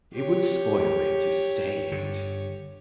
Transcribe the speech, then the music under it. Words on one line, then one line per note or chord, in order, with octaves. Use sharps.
"It would spoil it to say it."
G4 C#5
G2 D3